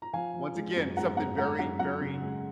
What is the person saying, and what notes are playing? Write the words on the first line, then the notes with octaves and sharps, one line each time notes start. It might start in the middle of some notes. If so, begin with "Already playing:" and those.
once again, something very, very
A#5
F3 F5 G#5
F3
G#3
F#2
G#3 F#5 A#5
F#2 F#5 A#5
G#3 F#5 A#5
F#2 F#5 A#5
F#2 F#5 A#5
C#3
G#3